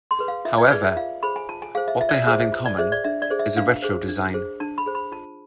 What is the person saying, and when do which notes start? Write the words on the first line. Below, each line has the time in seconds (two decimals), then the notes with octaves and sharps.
However, what they have in common is a retro design.
0.11 C6
0.19 G#4 B4
0.28 F5
0.45 F4 E5
0.58 D5
0.71 G#4 B4 D5
0.84 E5
0.97 F4 F5
1.23 G#4 C5 B5
1.36 G#5
1.49 F4 A5
1.62 G#5
1.75 G#4 C5 F5
1.88 E5
2.01 F4 E5
2.09 D5
2.14 E5
2.27 G#4 C5 E5
2.40 E5
2.52 F4
2.66 D5
2.79 G#4 C5 E5
2.92 D5
3.04 D4 E5
3.22 D5
3.30 G#4 C5
3.39 E5
3.57 D4 F5
3.82 G#4 C5
4.09 D4
4.34 G#4 C5
4.60 D4 A5
4.78 B5
4.86 G#4 C5
4.95 B5
5.12 F4 A5